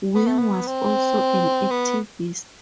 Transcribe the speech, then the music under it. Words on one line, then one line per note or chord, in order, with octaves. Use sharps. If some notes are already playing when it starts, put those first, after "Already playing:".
Wing was also an activist.
B3
A3
B3
C4
B3